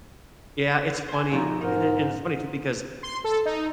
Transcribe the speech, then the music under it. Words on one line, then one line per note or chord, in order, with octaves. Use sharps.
Yeah, it's funny and i it's funny too because,
C5 G#5
B2 F3 D#4
G#2 D#4 A#4
C6
A4
D#4